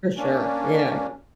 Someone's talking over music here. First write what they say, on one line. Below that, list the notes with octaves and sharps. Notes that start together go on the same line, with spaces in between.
For sure, yeah, m
A#3 C#4 D4